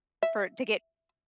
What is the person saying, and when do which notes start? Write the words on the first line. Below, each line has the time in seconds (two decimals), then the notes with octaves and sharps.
for to get
0.23 E5